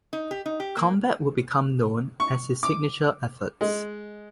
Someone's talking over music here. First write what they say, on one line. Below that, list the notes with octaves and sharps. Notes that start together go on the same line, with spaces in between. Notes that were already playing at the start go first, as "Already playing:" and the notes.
Combat would become known as his signature efforts.
D#4
G4
D#4
G4
A#3
C#6
D6
G#3